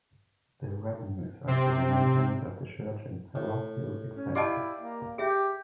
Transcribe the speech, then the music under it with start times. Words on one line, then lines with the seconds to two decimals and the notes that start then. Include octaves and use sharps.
The revenues are for the maintenance of the church and parochial expenses.
1.47 C3 C4
3.36 A2
4.14 C#4
4.35 E4 G4 D5 D#5 F5 G5 A5
4.79 A#3
5.18 G4 G#4 E5